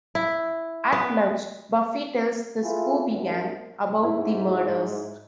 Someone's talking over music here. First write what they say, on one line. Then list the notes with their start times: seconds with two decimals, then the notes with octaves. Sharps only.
At lunch, Buffy tells the Scooby Gang about the murders.
0.15 E4
0.92 B3
2.62 E4 F4 G#4 A4 B4
3.10 G#1 F#2
4.03 G#2 E4